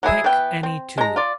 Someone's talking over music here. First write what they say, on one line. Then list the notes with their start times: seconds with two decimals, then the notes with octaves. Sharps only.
Pick any two.
0.03 F#3 E4 G#4 E5
0.24 E3 B3 G5
0.63 C4
0.98 G#3 A#5
1.16 F4 D5